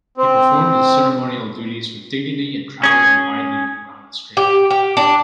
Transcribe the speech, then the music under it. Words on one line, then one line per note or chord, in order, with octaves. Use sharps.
He performed his ceremonial duties with dignity and travelled widely around Australia.
C4
C#4 G#4
G4
G4
D4